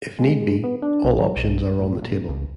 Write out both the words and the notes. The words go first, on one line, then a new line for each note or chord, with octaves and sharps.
If need be, all options are on the table.
G#3
B3
D4
B1
F#3
B1
A1
A#1
C#2